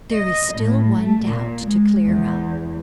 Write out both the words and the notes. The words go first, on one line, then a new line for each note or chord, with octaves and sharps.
There is still one doubt to clear up.
D#5
A2
A3
A#2
G#3
E2